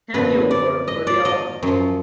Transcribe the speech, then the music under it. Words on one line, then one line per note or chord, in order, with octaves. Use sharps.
Handy Award for the album.
F#2 D3 F3 B4
D5
D#5
D5
D#5
F#2 F3